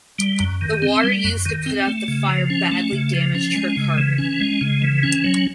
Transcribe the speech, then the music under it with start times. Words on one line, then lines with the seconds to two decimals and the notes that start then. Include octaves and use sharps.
The water used to put out the fire badly damaged her cargo.
0.19 G3
0.40 F#2
0.61 D#3
0.82 C4
1.04 G3
1.24 F#2
1.45 D#3
1.66 C4
1.87 A3
2.08 C#3
2.29 F3
2.50 C#4
2.72 A3
2.92 C#3
3.14 F3
3.35 C#4
3.56 G#3
3.77 C#3
3.98 E3
4.18 C#4
4.40 G#3
4.61 C#3
4.82 E3
5.03 C#4
5.24 F#3